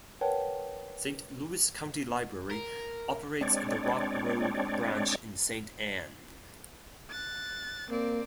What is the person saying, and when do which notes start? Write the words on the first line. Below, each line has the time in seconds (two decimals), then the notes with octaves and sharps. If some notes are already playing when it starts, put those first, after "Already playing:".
Saint Louis County Library operates the Rock Road Branch in Saint Ann.
0.21 A#4 B4 C#5 F#5 G5 A5
2.51 A#4
3.41 G#3 C4 D4 C#5 D5
7.09 F#6 A6
7.90 A#3 C4 D5